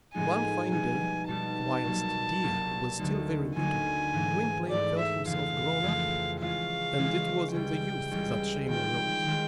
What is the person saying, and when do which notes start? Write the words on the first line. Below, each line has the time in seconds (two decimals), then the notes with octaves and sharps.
One fine day, whilst Dea was still very little, Gwynplaine felt himself grown up, and it was in the youth that shame arose.
0.14 A2 F3 G#3 B3 D#4 G#5
0.69 B2 G3 B3 D#4 G4 G#5
1.28 B2 G3 B3 D#4 G4 A5
1.85 C2 B2 F#3 A#3
2.42 C2 B2 F#3 A#3
2.99 D2 D3 F#3 A#3 D#4
3.56 D2 D3 F#3 A#3 D#4 G#5
4.13 G#2 E3 A3
4.69 G#2 E3 A3 D5
4.98 E5
5.25 F2 C#3 E3 A3 F5
5.82 F2 C#3 E3 A3
6.41 C#3 E3 G#3 C#4 F4 F5
6.98 C#3 E3 G#3 C#4 F4
7.52 C#2 C#3 E3 G3 G5
8.11 C#2 C#3 E3 G3
8.68 D#3 G#3 C4 F4 G5
9.26 D#3 G#3 C4 F4